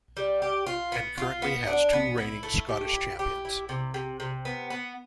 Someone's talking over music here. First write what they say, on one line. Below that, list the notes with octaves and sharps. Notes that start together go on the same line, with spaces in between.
And currently has two reigning Scottish champions.
G3
G4
F4
B3
F4
B3
D4
B3
E4
A3
G4
E4
G4
E4
C3
C3
C3
B3
B3